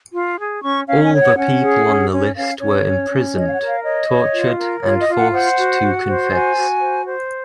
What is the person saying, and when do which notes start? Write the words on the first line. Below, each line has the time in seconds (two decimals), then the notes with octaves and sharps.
All the people on the list were imprisoned, tortured and forced to confess.
0.13 F4
0.38 G#4
0.63 C#4 C#6
0.88 C#4 F5
1.04 G#5
1.13 C#5
1.20 F#5
1.37 C#4 F#5
1.62 G#4
1.87 C#4
2.11 C#4
2.36 C#4 F5
2.61 C#4 C#5
2.86 C#4
3.10 C#4
3.35 C#5 D#5
3.47 F5
3.51 F#5
3.60 A#4
3.67 F5
3.84 C#5 D#5
4.09 C#5
4.34 F4
4.59 A#4
4.83 F4 C#5
5.00 D#5
5.08 F4
5.16 F#5
5.33 C5 F#5
5.57 F#4
5.82 F#4
6.07 C5
6.31 F#4 G#5
6.57 F#4
6.81 C5
7.06 C5